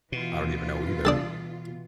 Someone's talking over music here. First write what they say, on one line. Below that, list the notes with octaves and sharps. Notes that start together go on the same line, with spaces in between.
I don't even know either.
B2 E3 F4
G3 D4 A4 D5 A5 D#6